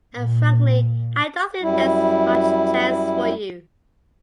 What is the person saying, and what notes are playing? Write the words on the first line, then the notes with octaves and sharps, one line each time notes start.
And frankly, I don't think there is much chance for you.
A#2
F#2 G3 E4